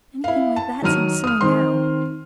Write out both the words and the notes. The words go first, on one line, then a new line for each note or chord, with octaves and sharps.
Anything like that seems silly NOW.
E4 F5
A5
D#3 F#3 D#4 F6 D#7
D#6 F6
D#3 C4 C6